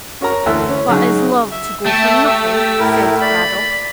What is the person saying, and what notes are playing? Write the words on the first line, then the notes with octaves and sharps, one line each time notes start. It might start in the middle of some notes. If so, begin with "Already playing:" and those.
"But is love to go for nothing?" said Cradell.
C#4 F#4 A#4 A#5
D2 E3 A4 E5
C#4
C#3 F#3 C#4 D#4 G#4
E5
A3 E5 G5 A5 E6
G4 E6
A2 E4 A#4
D5 B5